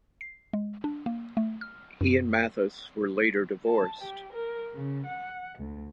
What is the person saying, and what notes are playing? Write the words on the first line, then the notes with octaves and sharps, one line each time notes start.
He and Mathis were later divorced.
C7
G#3
D4
A#3
A3
F6
F#2
A5
G4
A#4
C#3
F#5
D2